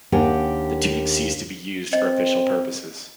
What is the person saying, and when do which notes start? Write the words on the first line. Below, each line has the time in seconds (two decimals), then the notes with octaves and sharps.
The tune ceased to be used for official purposes.
0.12 D#2 D4 G4 A#4 F#5 G#5
1.93 C4 D#5